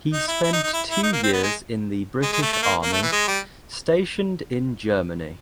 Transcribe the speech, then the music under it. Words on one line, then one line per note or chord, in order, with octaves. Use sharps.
He spent two years in the British Army, stationed in Germany.
D#4
E4
E4
D#4
D#4
E4
E4
D#4
A#3
C4
B3
G#3
G#3
G#3
A3
A3
A#3
A#3
A3
E3
G#3
G3